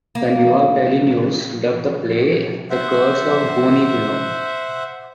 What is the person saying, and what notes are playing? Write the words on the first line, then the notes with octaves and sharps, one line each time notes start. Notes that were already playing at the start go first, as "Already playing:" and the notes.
The "New York Daily News" dubbed the play the "Curse of the Boonebino".
A#3
C5 E5 F#5